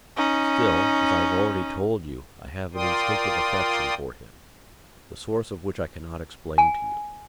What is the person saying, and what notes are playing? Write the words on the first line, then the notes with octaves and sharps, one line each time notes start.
Still, as I have already told you I have an instinctive affection for him, the source of which I cannot explain to you.
C#4 D#4
F4 A#4 D5 G5 C6 D#6
G#5